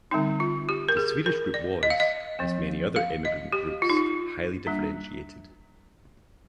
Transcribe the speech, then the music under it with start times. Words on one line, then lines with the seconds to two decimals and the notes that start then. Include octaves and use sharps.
The Swedish group was, as many other emigrant groups, highly differentiated.
0.11 D3 G3 C4 D#4
0.40 F4
0.69 G4
0.89 A#4
0.97 G#4
1.26 A#4
1.54 D5
1.83 D#5
1.90 F5
2.00 D#5
2.39 F3 C4
2.96 F5
3.25 D#5
3.53 G4
3.82 F4
3.90 D#4
3.97 F4
4.67 G3 A#3 D4